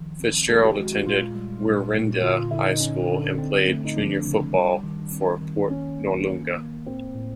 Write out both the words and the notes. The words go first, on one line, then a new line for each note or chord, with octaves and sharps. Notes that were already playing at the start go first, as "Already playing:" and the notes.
Fitzgerald attended Wirreanda High School and played junior football for Port Noarlunga.
Already playing: D#3 F3
C4
G#3 A4
G4
G#3 F#4
F#4
A#2 F4
G3
A#2
A#2
F#4
D3 F4
F4
D3 E4
D#4
C#4
D3
C4
A3
D#4
F3 D4
C#3
G3
D#3
C4
D#3
A#3 C#4
A#3
A#3
A#3
A2 C4
A2